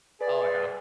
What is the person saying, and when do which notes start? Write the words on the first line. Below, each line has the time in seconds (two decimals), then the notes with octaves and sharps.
Oh, yeah.
0.21 G#4 B4 D5